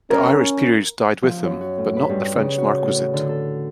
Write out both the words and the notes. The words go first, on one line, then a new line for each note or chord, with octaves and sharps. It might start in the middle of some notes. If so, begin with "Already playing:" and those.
The Irish peerage died with him, but not the French marquisate.
C#4 A#4
F3
F#2
F#4
A2
B4
G2
C#3
F#4
A2
D3
A4